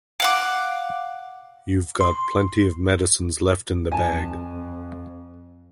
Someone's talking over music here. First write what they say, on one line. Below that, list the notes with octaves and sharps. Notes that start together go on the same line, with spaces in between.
You’ve got plenty of medicines left in the bag.
F5 F#5 D6
C6
F2 G#5 A5